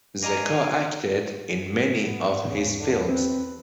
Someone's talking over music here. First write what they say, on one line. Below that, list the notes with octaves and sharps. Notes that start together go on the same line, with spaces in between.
Zecca acted in many of his films.
A#4 D5 D#5 F5 G#5 A#5
G#2 B3
E2 C#3
D3
C4 B4